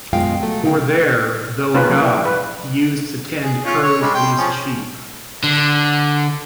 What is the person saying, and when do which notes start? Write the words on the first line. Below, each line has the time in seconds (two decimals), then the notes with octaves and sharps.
For there, though a god, he used to tend curly-fleeced sheep.
0.13 F#2 B2 G#3 F4 F5 G5
0.40 F#3 A3
0.63 B2 D3 D#4 F5 G5
1.74 C#3 A#3 C#4 D#4 F4 B4
1.89 F3 F#3 A#3
2.01 D4 E4
2.25 B4
3.43 G#4
3.65 C#4 F4
3.83 C#5
4.01 G3 G#3
4.14 G5 C6
4.37 F3 C#4 G#4
5.43 D3